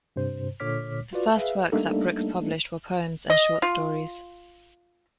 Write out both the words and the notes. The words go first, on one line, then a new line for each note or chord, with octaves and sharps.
The first works that Brooks published were poems and short stories.
G2 C3 C5
A#2 D3 C#5 D6 F6 B6
F4 F#4 B4 D5
G#4 B4 E5 F5
G3 A3 A#3 D4 D#4 A4
D#5
F4